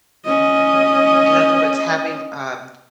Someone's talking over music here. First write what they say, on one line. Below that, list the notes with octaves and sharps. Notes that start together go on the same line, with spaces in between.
In other words, having, um,
C#4 D#5